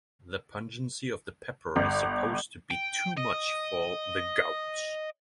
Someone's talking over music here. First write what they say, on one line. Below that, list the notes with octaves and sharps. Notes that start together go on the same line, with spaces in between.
The pungency of the pepper is supposed to be too much for the gout.
G1
G5
D#5